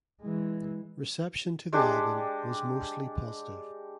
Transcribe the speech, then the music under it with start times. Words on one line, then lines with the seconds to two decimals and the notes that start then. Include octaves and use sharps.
Reception to the album was mostly positive.
0.21 E3 G#3
1.73 G#3 D4 G4